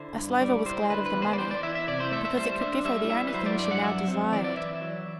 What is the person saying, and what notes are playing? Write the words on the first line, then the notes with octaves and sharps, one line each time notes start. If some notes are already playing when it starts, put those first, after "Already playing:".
Maslova was glad of the money, because it could give her the only thing she now desired.
Already playing: D3 E4 C5
G2
G3 D5
E4 C5
D3 B4
B4
E2
C5
D5
E3 C5
D5
E4 E5
E5
C3 D5
C5
A3 E5
E5
G3 C5
D4 E5
G3 E5
E4 E5
B4
F#3 C5
D5
G2 D5
F#5
F#3 E5
C4
E3 D5
D5
E4 E5
F#3